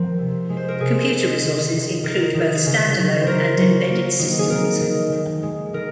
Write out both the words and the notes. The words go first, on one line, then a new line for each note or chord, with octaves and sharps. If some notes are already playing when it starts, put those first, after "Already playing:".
Computer resources include both stand-alone and embedded systems.
Already playing: F3 C4 A#4 C5
C3
G#3
C5
A#4
C3 G#4
G#3
D#3
D#3
D#3 A#4
D#3
C#3
F#3
C5
F#3 A#4
F#3
A#3
D#3
G#4
D#3 A#4
D#3
D#3
G#3
D#3 A#4